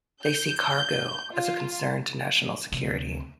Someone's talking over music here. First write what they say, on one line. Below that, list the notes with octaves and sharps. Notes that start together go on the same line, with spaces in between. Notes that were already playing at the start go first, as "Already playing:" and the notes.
They see cargo as a concern to national security.
G6
F4
D2 C3